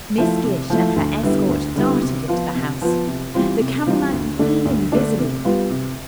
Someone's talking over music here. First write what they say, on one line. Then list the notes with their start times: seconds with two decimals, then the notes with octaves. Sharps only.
Miss Gish and her escort darted into the house, the camera man reeling busily.
0.18 F3 A3 E4
0.44 C3
0.70 F3 A3 E4
0.96 D2
1.23 D3 G3 B3 E4
1.49 D2
1.76 D3 G3 B3 E4
2.02 C3
2.28 F3 B3 F4
2.55 C3
2.82 F3 B3 F4
3.07 C3
3.34 E3 G3 C4 F4
3.60 C3
3.86 E3 G3 C4 F4
4.12 D2
4.39 D3 A3 D4
4.65 D2
4.92 D3 A3 D4
5.19 C3
5.45 G3 B3 F4
5.70 C3